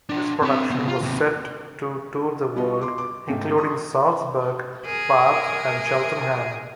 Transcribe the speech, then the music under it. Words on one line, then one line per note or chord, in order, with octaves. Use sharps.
This production was set to tour the world, including Salzburg, Bath and Cheltenham.
D4 A#4
C4 B5
C3 B3
F4
D#2 C3
G3 B3 F4 D#5
C6 D6
D6
G#2 C#3 A3 G5
C6 C#6 D#6
G#4 A#4